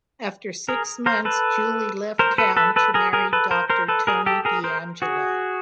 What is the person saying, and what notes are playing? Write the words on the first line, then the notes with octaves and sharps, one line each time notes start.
After six months Julie left town to marry Doctor Tony DeAngelo.
G#4 A#4
A#4 C5
A4 B4
A#4 C5
A4 B4
A4 B4
A4 B4
G#4 A#4
G#4 A#4
A4 B4
A#4 C5
A#4 C5
A4 B4
G#4 A#4
G4 A4
G#4 A#4
A#4 C5
F#4 G#4